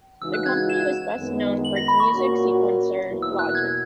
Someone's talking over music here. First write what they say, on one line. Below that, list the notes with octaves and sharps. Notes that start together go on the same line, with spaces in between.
The company was best known for its music sequencer, Logic.
C#3 E3 G#3 D#4 F#4 E6
F#6
G#6
G#6
E7
F#2 D#3 G#3 B3
F#7
A#6
B5
C#6
A#2 A#3 C#4 F#4 A#4
E2 B2 F#3 A#3 E4
E6
F#6
G#6